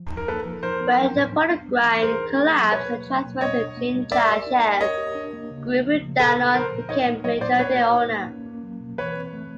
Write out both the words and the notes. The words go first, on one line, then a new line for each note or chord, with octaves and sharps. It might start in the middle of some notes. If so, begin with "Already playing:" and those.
When Peregrine collapsed, and transferred its Jinjia shares, Groupe Danone became majority owner.
Already playing: F3
D#4
A#4
A#3 A4 B4
F3
D#4 A#4 C5
B3
F#3
A2
D4
B3
G3
E3
G#4 A#4 C5
D#4
A#3
F#3
B2 B4 C#5
A#3
F#3
B2
G3 C#5 D#5
D4
A#3
G3
A#4 D5 E5
G4
D#4
A#3
A#4 C#5 D#5
G4
D4
A#3
C#3
A3
F3
C#3
A#2 A4 B4
A#3
F3 A#4 C5
A#2
D#4 C#5 D#5
A#3
F#3 C#5 D#5
A#2 C5 D5
A#3 B4 C#5
F#4
D#4
A#3
C#4
A#3
F#3
B2
E3 B4 C#5
C4
A3